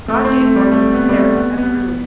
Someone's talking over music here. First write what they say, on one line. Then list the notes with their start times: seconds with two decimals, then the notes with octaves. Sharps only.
God gave woman hysterics as a relief.
0.08 A3
0.25 C4
0.41 A3
0.56 G3
0.72 A3
0.94 B3
1.09 G3
1.14 A3
1.35 B3
1.58 B3